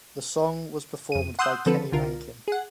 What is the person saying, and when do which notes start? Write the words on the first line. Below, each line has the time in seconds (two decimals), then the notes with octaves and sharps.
The song was performed by Kenny Rankin.
1.12 F2 D#7
1.39 F#5 C6 D#6 E6 F#6 G6
1.66 D3 F3 C4 A4 B4
1.92 C2 D3 F4 A#4
2.48 G#4 F#5